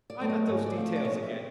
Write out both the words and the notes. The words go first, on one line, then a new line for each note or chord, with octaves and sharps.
I'm at those details again.
D5
F#3 A3 C4
D#5
G#2 C#5
D5
F3 A3 C4
D5
D5
A#2 C#5
D#5
E5
C4